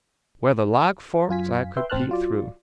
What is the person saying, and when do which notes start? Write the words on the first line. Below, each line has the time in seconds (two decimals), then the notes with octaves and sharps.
Where the log forked I could peep through.
1.29 F#2 F4 G#5 B6
1.77 B4 E5 G5 C6
1.90 A1 C4 C5 A5 F6 F#6
2.09 F#3 F4 D5